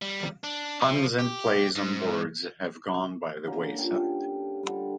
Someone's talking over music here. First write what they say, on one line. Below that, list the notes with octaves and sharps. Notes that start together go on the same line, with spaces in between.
Puns and plays on words have gone by the wayside.
G3
D4
F3
G4
G#2
D3 A#3 C#4
F4 G4 A4
D3 G3